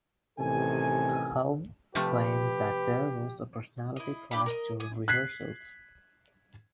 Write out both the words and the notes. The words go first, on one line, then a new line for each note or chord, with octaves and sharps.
Helme claimed that there was a personality clash during rehearsals.
A1 C3 D#3 A4 G#5
C3 F3 A3 G4 B4
E4 D#5
D4 G4 B4 B5
A#4 B4 D#5
G#5 D#6
F#6 G#6 B6 C7